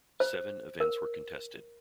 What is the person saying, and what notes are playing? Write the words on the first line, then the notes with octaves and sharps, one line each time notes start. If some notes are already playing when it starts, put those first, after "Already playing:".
Seven events were contested.
C5
A#4